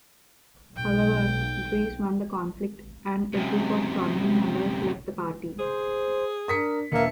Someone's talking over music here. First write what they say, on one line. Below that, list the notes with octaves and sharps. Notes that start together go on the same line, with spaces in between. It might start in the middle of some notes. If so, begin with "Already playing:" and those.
However, Drees won the conflict, and a group of prominent members left the party.
B1 G5
F#2 C3
G#4 C5
D4 A#4 D#6 B6 C#7
E1 A#3 E5 C#7